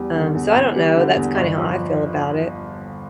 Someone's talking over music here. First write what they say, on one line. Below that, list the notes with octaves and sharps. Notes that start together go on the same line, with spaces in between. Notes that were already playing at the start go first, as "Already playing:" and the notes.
Um, so, I don't know, that's kind of how I feel about it,
Already playing: E2 G3
D3
E2
E2
G3
D3
E2
G1
F3